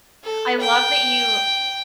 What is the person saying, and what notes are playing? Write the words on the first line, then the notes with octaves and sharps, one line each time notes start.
I love that you
A4
G5